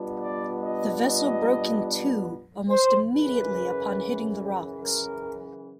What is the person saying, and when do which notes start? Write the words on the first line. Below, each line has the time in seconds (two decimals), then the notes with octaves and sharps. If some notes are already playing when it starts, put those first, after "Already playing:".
The vessel broke in two almost immediately upon hitting the rocks.
Already playing: B2 G3 B3 D4 F4
0.19 D5
0.61 D#5
1.03 D#5
2.69 C5
3.11 F#2 C#3 E3 B4
4.78 A#4